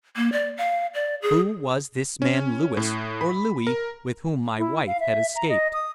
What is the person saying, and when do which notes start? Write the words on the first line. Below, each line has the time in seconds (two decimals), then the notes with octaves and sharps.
Who was this man Lewis--or Louis--with whom my wife had escaped?
0.16 A#3
0.32 D5
0.57 F5
0.94 D5
1.22 G#4
2.22 C#4
2.77 A2
3.21 B5
3.67 A#4
4.58 E4
4.87 F5
5.00 E5
5.36 A#5
5.49 D#5
5.73 D#6